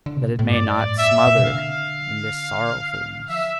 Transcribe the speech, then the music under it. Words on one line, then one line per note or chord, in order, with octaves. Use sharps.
That it may not smother in this sorrowfulness!
D3
C3
A#2
A2
G2 D5
A2
E5
A#2
A#2
C3
D3 F5
F3 E5